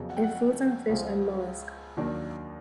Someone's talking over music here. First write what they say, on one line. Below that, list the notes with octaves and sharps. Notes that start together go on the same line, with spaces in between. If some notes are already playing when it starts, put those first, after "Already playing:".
It feeds on fish and molluscs.
Already playing: F2 C#3 F#3 B3
F#5
G5
F#5
F#5
C#2 C#3 F3 G#3
D#2 D#3 F#3 A#3 D4